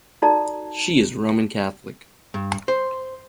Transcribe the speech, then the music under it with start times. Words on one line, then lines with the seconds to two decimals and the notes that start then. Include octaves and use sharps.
She is Roman Catholic.
0.22 D#4 F#4 A4 D5 A5 A#5
2.34 G2
2.68 C5